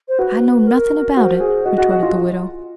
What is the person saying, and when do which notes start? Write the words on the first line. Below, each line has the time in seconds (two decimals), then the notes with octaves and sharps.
"I know nothing about it," retorted the widow.
0.08 C5
0.18 F#4 B4
0.67 A#4
1.17 F#4 C5
1.40 G#4
1.65 F#4 D#5
1.78 F#4
1.91 F#4
2.03 F4